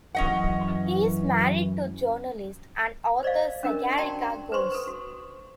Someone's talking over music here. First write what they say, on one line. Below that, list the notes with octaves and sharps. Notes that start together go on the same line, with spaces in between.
He is married to journalist and author Sagarika Ghose.
F#2 E3 C#4 D#5 F#5
C5 D5 D#5 F5
C#4 D4 A#4
F#4 D5 G5 A5 A#5 C6
B4 C5 C6 C#6
A4 B4
F#4